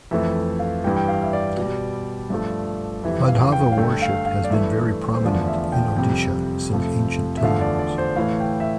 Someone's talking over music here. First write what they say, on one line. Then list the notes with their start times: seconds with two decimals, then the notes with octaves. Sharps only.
Madhava worship has been very prominent in Odisha since ancient times.
0.11 F2 E3 A3 E5
0.59 F5
0.84 G2 E3 G3 G5
0.97 G5
1.08 F5
1.23 E5
1.33 D5
1.57 B2
1.63 G3
2.30 G2 F3 A3
3.03 F2 E3 G3 E5
3.28 F5
3.52 G5
3.72 F5
3.77 G2 D3 A3 G5
4.02 F5
4.26 F5
4.44 D5
4.50 G2 E3 A3 E5
5.14 C5
5.23 E2 D3 F3 A3 D5
5.48 E5
5.72 G5
5.96 F2 C3 G3 G5
6.70 F2 C3 F3 A3
7.37 E5
7.43 E2 D3 F3 A3 F5
7.61 D5
7.79 D5
7.98 C5
8.16 A2 E3 A3 F5
8.40 G5
8.60 E5